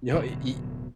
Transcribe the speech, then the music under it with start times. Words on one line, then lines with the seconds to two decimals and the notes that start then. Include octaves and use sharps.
No, e e
0.13 D1 B2 D3 F#3